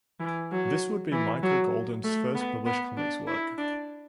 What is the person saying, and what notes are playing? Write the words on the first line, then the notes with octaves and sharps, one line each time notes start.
This would be Michael Golden's first published comics work.
E3
F#3
E3
F#3
A3
B3
B3
D4
E4
D4